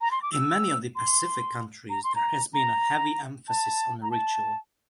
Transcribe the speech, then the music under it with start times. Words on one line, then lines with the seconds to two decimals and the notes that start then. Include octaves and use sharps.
In many of the Pacific countries, there has been a heavy emphasis on ritual.
0.01 A#5
0.11 C6
0.22 D6
0.33 E6
0.96 C6
1.90 A#5
2.04 C6
2.16 A#5
2.54 A#5
3.48 A5
4.03 A#5
4.11 A5